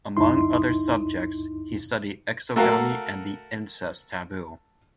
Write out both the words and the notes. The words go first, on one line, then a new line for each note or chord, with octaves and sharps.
Among other subjects, he studied exogamy and the incest taboo.
C#2 F#2 D#4 E4 C6
A3 F#4 A#4 F5